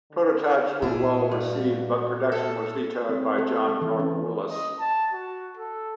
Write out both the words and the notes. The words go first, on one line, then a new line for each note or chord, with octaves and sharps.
Prototypes were well received, but production was vetoed by John North Willys.
D3
A#2 E4 F#4 G#4
G2
A4
C4
A4
A4
E3
C#4
D#5
A5
F#4
A4